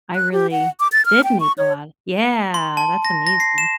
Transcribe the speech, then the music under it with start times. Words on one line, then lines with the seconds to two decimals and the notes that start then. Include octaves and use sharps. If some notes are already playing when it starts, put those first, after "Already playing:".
I really did make a lot, yeah, that's amazing.
0.15 F#6
0.32 G4
0.51 F#5
0.80 D6
0.92 A6
1.06 F6
1.24 G5
1.40 C#6
1.58 C#5
2.54 C6
2.77 A5
3.05 A#6
3.27 A#6
3.40 C7
3.58 E7